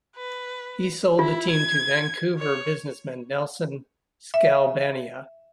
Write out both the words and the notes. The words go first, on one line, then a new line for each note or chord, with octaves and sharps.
He sold the team to Vancouver businessman Nelson Skalbania.
B4
E4 F4
G#6
C#5
E5